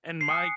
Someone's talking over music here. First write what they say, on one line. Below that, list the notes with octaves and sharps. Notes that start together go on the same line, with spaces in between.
And my g
C7
G#5 D#6 F#6 C#7